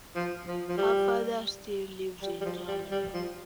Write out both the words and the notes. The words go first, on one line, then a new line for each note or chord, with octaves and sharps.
Her father still lives in Germany.
F3
F3
F3
G3
G3
G3
F3
G3
G3
F3